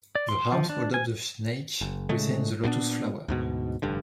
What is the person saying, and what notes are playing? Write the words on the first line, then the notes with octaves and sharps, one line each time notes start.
The arms hold up the snake within the lotus flower.
D5
C6
F3
D4
G#5
F#1
A2 C#3 G#3 A3
G2 A#2 B3 D4
D2 G#2 B2
F1 G2 D3